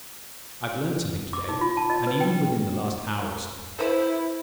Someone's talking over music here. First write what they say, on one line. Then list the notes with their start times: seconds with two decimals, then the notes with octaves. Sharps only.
I've learned something to-day, and even within the last hour or so.
1.33 D6
1.49 D#4
1.61 F4
1.77 A5
1.90 D#5
2.07 B4
2.20 G5
3.79 E4 A4 B4 C5